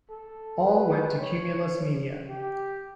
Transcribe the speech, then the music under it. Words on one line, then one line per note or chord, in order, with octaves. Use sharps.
All went to Cumulus Media.
A4
B4
C#5
G4